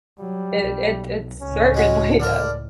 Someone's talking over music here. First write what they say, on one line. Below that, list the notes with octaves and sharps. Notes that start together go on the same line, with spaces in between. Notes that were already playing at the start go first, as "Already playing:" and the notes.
It it it certainly does.
F#3 G3
B1
C#2 A2 C#4
G#3 F#4
D3 A#4 D5